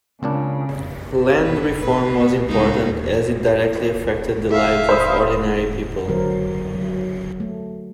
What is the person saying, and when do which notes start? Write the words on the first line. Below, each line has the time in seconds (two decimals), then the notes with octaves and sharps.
Land reform was important as it directly affected the lives of ordinary people.
0.23 C#2 A#2 C#3 C4 D4
1.42 B2 D#3 B4
1.78 A#2 B4
2.14 B3
2.48 C#3 G#3 D#4
4.51 E5 F5
4.89 C5 B5 D#6
6.08 D3 F#3 A#4 C5
6.75 F#3
7.40 A3